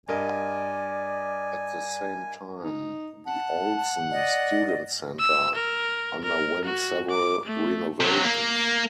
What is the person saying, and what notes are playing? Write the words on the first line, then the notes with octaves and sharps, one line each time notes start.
At the same time, the Olsen Student Center underwent several renovations.
G2 A#4 D5 D#5 G#5
D#4
F#5 A5
D5 D#5
E6
A#4
A#4
F#4
D6
A3
C3 F#3
A#3